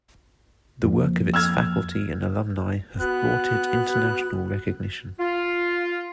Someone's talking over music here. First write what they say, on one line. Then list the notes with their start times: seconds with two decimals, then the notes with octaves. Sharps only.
The work of its faculty and alumni have brought it international recognition.
0.82 F2 F3 A#3
1.34 E6 F6 G#6
3.00 B3 F#4 F#6
5.19 F4